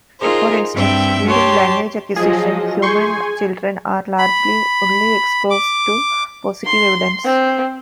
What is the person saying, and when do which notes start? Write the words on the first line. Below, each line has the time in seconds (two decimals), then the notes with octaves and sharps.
For instance, during language acquisition, human children are largely only exposed to positive evidence.
0.19 D#4 F4 G#4 A#4 C5
0.73 G2 C4 E5 G5
1.26 G4 C#5 A5 C6
2.16 F3 F#3 G#4 D#5
2.82 G#4 G#5 C6 C#6 G6
4.19 B5
5.50 D6
6.65 C6
7.25 C4